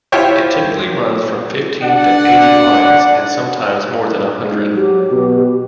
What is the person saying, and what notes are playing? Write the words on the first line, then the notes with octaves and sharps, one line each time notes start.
It typically runs from fifteen to eighty lines, and sometimes more than a hundred.
E4 F4 G4 C5 C#5 G5
D4 D5 F#5
G#2
F#3 G4
B2